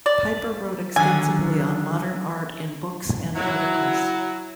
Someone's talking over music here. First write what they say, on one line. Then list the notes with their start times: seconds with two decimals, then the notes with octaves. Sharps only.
Piper wrote extensively on modern art in books and articles.
0.06 D5
0.96 D3 D#3 F#3 G#5
3.36 F#3 E4